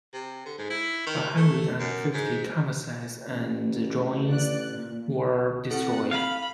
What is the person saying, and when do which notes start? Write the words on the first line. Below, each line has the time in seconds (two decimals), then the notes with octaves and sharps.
A hundred and fifty canvases and drawings were destroyed.
0.14 C3
0.46 D3
0.58 G#2
0.70 E4
1.06 D#3
1.36 A3
1.79 F#2
2.13 G#2
3.29 A1
4.27 D5 F#6
4.74 A#2
5.71 C4 E4 A4 F#5
6.11 F5 B5